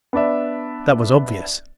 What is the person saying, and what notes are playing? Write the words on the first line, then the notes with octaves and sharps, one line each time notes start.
That was obvious.
B3 D4 D5 E5